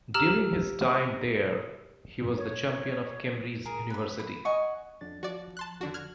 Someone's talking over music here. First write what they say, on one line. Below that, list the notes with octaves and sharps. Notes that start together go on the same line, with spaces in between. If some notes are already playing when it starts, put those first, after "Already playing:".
During his time there, he was the champion of Cambridge University.
G4 A#5 E6 F6 F#7
C#5
G#4 A#4
B4 B5
B5
D#5 F#5 G#5 C#6
F2 D4 A6
F3 F#4 D5
A5 C6 F#6
F2 D3 D4 F#4
F6 F#6 G#6